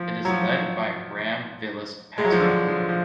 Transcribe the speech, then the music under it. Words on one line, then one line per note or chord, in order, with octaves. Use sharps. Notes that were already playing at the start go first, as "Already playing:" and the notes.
It is led by Ram Vilas Paswan.
Already playing: F3
F#3
F3
G#3
F#3
F3
D3
F3
F3